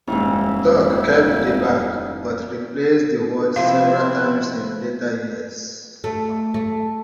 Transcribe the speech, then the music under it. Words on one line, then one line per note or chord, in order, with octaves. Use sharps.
Tork kept the back, but replaced the watch several times in later years.
D#1 F2 G#2 E4
C3 F3 C4 E4 F5
A3
A3